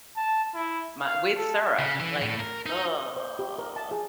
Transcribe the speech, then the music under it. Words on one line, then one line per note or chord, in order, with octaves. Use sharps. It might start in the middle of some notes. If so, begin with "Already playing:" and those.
My with syrup, like, ugh.
A5
E4
F5
A4
C#3
E3
A2
A#4
D#4
C5
G4
A#4
A5
G#4